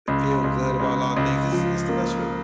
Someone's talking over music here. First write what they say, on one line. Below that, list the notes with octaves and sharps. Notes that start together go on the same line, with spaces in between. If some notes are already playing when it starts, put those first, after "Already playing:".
feel good about a lotta things. It's it's the best feeling.
C#2
C#2
C#2
C#2
F3
A#3